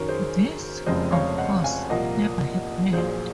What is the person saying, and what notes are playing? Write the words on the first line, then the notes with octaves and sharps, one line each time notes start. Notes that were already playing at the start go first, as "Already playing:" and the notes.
This, of course, never happened.
Already playing: F#2 D#3 F#3 A#4 C#5
G#4 C5
F1 F2 C#3 G#3 C4 C5 D#5
C#5 F5
D#5 F#5
F5 G#5
C2 A#2 F3 A#3 D#5 F#5
A#1 A#2 F#3 G#4 C5